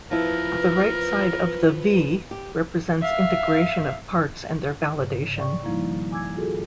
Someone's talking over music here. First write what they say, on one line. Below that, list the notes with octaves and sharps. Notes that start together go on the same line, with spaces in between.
The right side of the "V" represents integration of parts and their validation.
F3 B3 E4 A#4 B4
G4
E5 F5
G#2 C#3
D5 G5 C#6
D#3 F3 G3 A#3 D#4 E4
G#5 D6 E6 G#6
F4 F#4 G#4 A4